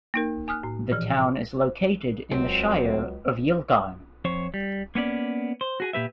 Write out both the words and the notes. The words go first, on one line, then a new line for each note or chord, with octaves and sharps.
The town is located in the Shire of Yilgarn.
A#3 D#4 A#4
G#5 D#6 F6 F#6
A2
A#2 E3 F3
C#2 F#3 C4
F2 C5 C#5
G3
A#3 B3 C#4 D5
C5
F#4 G#4 G#5
A#2 G4 B4 E5